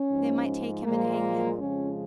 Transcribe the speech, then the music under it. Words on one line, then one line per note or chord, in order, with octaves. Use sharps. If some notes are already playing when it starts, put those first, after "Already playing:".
They might take him and hang him.
Already playing: C#4
G#2 F3 G#3
A#2 F3 G#3 A#3
F2 C#3 F3 G#3 C#4